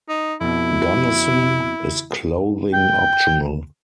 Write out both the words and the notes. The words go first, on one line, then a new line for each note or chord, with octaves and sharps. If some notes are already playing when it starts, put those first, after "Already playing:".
Gunnison is clothing optional.
D#4
F2 B2 E4
G5